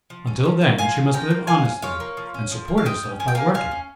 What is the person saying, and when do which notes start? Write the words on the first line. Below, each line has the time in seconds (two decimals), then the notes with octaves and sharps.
Until then she must live honestly, and support herself by working.
0.10 F3
0.27 C#4
0.45 F3
0.61 A#3
0.78 F3 F5 G#5
0.97 C#4
1.13 F3 G5 A#5
1.31 A#3
1.47 F3 F5 G#5
1.65 C#4
1.82 F3 C#5 F5
2.00 A#3
2.17 F3
2.34 C#4
2.51 F3
2.68 A#3
2.78 F5
2.85 F3 D#5 G5
3.03 C#4
3.20 F3 G#5
3.28 G5
3.35 A#3 F5 G#5
3.54 F3 F5 G#5
3.71 C#4